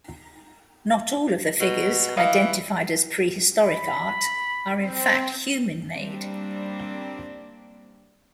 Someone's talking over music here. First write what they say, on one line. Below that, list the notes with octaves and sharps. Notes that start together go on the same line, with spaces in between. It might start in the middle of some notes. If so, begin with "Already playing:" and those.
Not all of the figures identified as prehistoric art are in fact human made.
B2
E3 D#5 F5
B5
C4
G3 A#3 C4 D4